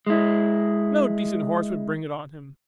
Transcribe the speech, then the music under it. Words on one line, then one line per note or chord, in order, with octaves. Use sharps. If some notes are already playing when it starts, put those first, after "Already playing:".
No decent horse would bring it on him.
G#3 E4